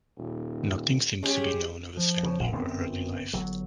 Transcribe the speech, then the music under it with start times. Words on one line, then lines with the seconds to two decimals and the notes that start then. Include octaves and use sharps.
Nothing seems to be known of his family or early life.
0.17 D#1
1.23 G#3 C#4 G4
1.97 F3
2.23 C#3
2.40 D#1 A#1
2.52 G1 F#2 B3 C4
3.33 G1 F#3